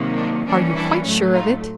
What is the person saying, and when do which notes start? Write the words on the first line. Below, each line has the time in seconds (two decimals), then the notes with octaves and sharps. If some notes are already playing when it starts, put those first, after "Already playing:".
"Are you quite sure of it?"
Already playing: C3 D#3 F#3 A#3
0.17 D4
0.47 E3 G3 A#3 C#4 D4
0.76 D4 E4
1.05 A2 F#3 A3
1.34 D#4 F4